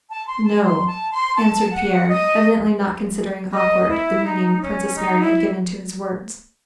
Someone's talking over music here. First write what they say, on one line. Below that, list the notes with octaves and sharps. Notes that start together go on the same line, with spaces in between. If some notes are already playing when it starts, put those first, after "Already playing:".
"No," answered Pierre, evidently not considering awkward the meaning Princess Mary had given to his words.
A5
C6
A5
C6
A5
C6
A5
F#5
D#5
D#5
E4
D#4
C#4
D#4
E4